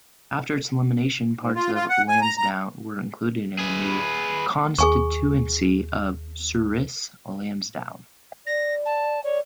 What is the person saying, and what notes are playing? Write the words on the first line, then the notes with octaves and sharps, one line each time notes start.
After its elimination, parts of Lansdowne were included in the new constituency of Souris-Lansdowne.
G#2
F4
F4
F#5
G#5
A#5
A#5
G#4 B4
D#2 G#4 G#5 C#6
D5 A#6
A5
C#5 D5